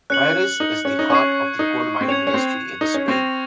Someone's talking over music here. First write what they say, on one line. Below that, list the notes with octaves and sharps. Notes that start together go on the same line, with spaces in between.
Mieres is the heart of the coal mining industry in Spain.
C#4 F#6 C#7 F#7
D#4
C#4
D#4
C#4 C#6 G#6 C7
D#4
C4
C#4 G#6 C#7 F7
C#4
C4
D#4
C#4
C4 C#6 F6 A#6 F7